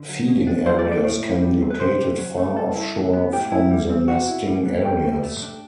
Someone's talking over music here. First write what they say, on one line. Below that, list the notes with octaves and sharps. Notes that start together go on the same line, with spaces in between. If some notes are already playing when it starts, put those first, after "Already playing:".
Feeding areas can be located far offshore from the nesting areas.
Already playing: D3
F#3
B2
D4
F#3 C5
D5
A3
D5
A2
E4
G3
C4
B4
C3 C5
C3
F#3
A3
G2 A4
E4
F#3
B3
A2 G4
E4
G3
C4
C3 F#4
E4
G3
B3
B2 G4
B2
A3
D4